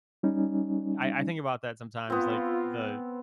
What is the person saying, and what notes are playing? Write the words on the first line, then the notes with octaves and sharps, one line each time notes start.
Uh, I I think about that sometimes, like, the
G3 C#4 D#4
B3 C4 F4